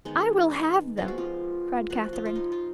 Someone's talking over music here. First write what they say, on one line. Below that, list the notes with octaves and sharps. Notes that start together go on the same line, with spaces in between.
"I will have them," cried Katharine.
D#3 G#3 B3 D#4
F3 G#3 B3 F4
F#4
F4
F3 A#3 F#4
F4
F4
D#4
F4